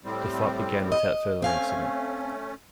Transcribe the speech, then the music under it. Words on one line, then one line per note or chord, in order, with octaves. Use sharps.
The fight began without further incident.
A2 G3 C4
D#5
A3 C4 C#4 F5 G#5